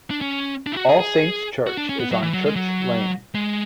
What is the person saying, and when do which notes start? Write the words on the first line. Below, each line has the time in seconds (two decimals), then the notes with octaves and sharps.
All Saints church is on Church Lane.
0.11 D4
0.21 C#4
0.67 D4
0.72 E4
0.77 F#4
0.89 G#4
0.99 G#4
1.67 F#4
1.77 D4
1.89 C#4
2.00 B3
2.11 F#3
2.23 E3
2.34 F#3
2.45 G#3
2.56 F#3
3.35 G#3